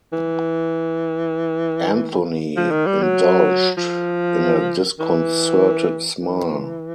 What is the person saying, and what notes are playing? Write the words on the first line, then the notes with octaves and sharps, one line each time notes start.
Anthony indulged in a disconcerted smile.
E3
F3
D#3
G3
F#3
F3
E3
E3